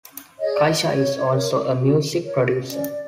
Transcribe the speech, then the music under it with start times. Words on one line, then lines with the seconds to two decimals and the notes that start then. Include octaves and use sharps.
Kaysha is also a music producer.
0.39 G#4 C#5 D#5
0.53 D5
0.66 D#5
0.85 F#4 C#5
1.32 A#4 C#5
1.78 F#4
2.24 A#4 C#5
2.70 C#4 D5